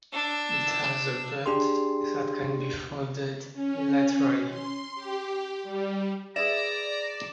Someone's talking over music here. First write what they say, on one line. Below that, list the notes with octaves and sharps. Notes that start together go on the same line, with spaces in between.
It has a butt that can be folded laterally.
D4 E6
D4 G4 G#4 C6
C#4
C6
G4
G3
G#4 B4 D5 E5 A#5 E7